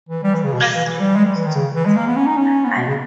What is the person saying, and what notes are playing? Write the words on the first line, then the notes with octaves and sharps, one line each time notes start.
Mistress refused to be taken alive.
E3
G3
E3
C#3
B2
E3
E3
G3
G#3
G3
E3
D#3
C#3
E3
G#3
A#3
B3
C#4
D#4
C#4
B3
A#3
B2
C#3